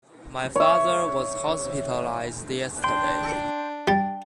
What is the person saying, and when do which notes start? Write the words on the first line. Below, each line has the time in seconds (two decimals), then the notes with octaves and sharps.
My father was hospitalized yesterday.
0.56 C#5 E5
2.84 D4 G5 C6
3.88 G3 G5 A6